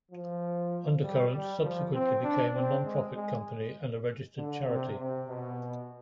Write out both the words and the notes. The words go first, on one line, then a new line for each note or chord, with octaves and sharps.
Undercurrents subsequently became a non-profit company and a registered charity.
F3
G3
G3
F3
C4
D4
C4
G#3
G#3
D3
C3
C3
B2